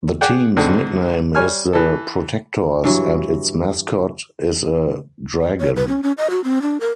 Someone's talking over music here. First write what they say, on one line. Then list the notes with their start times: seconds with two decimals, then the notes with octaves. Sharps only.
The team's nickname is the "Protectors", and its mascot is a dragon.
0.21 G#4 D5 F#5 G5
0.57 E2 G#2 D3 C4
1.35 G3 C#5 G#5 F6
1.73 E3 A4
2.84 G2 E3 F#3
5.60 C#5
5.76 B4
5.88 C#4
6.03 C#4
6.18 D#5
6.30 F#4
6.44 C4
6.62 D4
6.81 A#4